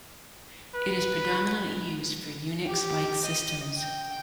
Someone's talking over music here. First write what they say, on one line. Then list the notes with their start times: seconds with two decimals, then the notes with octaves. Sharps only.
It is predominantly used for Unix-like systems.
0.74 B4
2.66 G4
3.25 D#5
3.77 G5